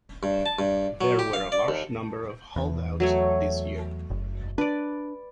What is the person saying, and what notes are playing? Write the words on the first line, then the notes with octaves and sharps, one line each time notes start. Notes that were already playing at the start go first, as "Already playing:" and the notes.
There were a large number of holdouts this year.
G2
A5
G2
F#3
G4
F5
D5
D#2
E2
F#3 A3 C#5
F#1
D4 B4 D5